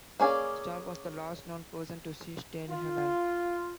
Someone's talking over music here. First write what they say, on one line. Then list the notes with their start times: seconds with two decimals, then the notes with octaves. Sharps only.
Starr was the last known person to see Staley alive.
0.20 A#3 C#4 G#4 D5
2.69 F4